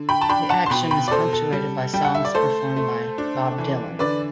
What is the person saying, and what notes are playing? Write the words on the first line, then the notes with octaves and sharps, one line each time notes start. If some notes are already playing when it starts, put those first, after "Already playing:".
The action is punctuated by songs performed by Bob Dylan.
Already playing: D3
G5 B5
A5
D4 G5 B5
F#5 A5
C6
B2 G5 B5
G5 B5
D5
B2 A4 C5
A4
G3
G3 G5
F#5
E5
D5
A3 A4 C5
A3
D4
E3
D3 B4 D5